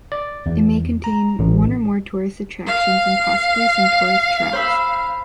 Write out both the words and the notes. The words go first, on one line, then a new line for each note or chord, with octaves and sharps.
It may contain one or more tourist attractions and possibly some tourist traps.
D5
E2
A#5
A1
F5
C5 B5 E6